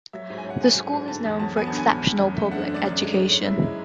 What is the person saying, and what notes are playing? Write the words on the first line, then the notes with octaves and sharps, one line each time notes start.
The school is known for exceptional public education.
F#3 E5
G#2
G#5
C#4
F#5
G#2 G#5
F#3
G#2
D3 A5
E2
F#3 A5
B3 G#5
A5
D3
G#5
E2
D3
F#2
A3
D4 F#5
D3
D5
F#2
G#3
G#2
C#4
E4
G#3